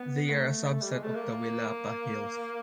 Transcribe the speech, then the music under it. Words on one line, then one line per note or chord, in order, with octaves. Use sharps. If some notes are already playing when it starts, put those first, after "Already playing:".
They are a subset of the Willapa Hills.
Already playing: B3
A3
G3
G#3
A3
A#3